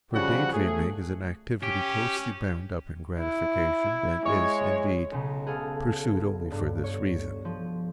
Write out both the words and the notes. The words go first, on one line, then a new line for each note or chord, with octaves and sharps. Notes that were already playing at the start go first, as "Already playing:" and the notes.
For day dreaming is an activity closely bound up in gratification and is, indeed, pursued only for this reason.
C#3 F3 G3 F#4 F#5
A3 G#4
C#4 G4
E4
G#3 C#5
B1 C#3
B3 G#4 A4 F5
G2
C#5
F3